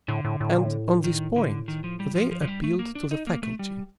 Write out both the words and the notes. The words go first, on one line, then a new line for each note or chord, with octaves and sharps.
And on this point, they appealed to the Faculty.
A2 D3
A2
A2
A#2
A2
D#3
D3
D#3
F3
G3
F3
G2 F3
F3
G3
A3
A#3
D4
D#4
A#3
A3
A2 G3